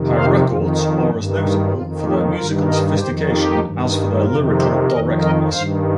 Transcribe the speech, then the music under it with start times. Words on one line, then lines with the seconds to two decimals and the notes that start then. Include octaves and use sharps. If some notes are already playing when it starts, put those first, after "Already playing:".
Her records are as notable for their musical sophistication as for their lyrical directness.
Already playing: F2 C3 D#3
0.16 C5 F5
0.46 F2 D#3 C4 F4
1.10 G2 D#3
1.73 F2 D#3 C4 F4
2.05 D#4 G4
2.36 G2 D#3 F4 A#4
2.68 A#4 D#5
2.99 F2 D#3 G4 C5
3.31 D#4 G4
3.63 G2 D#3
4.26 F2 C3 D#3 F4 A#4
4.58 G4 C5
4.89 F2 D#3 A#4 D#5
5.21 A#4 D#5
5.53 G2 D#3 C5 F5